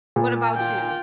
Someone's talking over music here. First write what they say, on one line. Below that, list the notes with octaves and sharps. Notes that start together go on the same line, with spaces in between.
What about you?
A#2
F4 G5